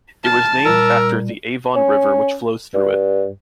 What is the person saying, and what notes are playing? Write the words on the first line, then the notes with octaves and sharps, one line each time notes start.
It was named after the Avon River which flows through it.
A5 F6
A#2 G3 A#4 E6
C#4
G2